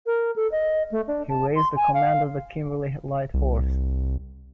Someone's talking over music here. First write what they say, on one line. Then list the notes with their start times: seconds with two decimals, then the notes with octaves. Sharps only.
He raised and commanded the Kimberley Light Horse.
0.06 A#4
0.36 A4
0.52 D#5
0.92 A3
1.07 D4
1.29 A5
1.56 C6
1.76 G#5
1.94 F5
3.34 C2